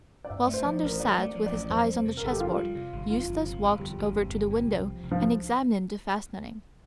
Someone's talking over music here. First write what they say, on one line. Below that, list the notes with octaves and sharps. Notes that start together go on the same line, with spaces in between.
While Saunders sat with his eyes on the chessboard, Eustace walked over to the window and examined the fastenings.
D5
G2 E5
A3
C5
F3 D5
A1 A#4
C5
G2 D5
A3
D5
F3
D5
A1
F2 C5
G3
C3
A#4
G1 A4
G4
F2 F4
G3
C3
G1
F2 F4
G1
C3
G1
F2 G3
G1
C3
G1
A#2
C2
F3
C2
F3